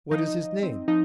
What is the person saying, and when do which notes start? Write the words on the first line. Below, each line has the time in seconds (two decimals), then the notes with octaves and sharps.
"What is his name?"
0.11 F3 D#4 D#5
0.37 D#4
0.63 C4
0.88 F3 D#4 D#5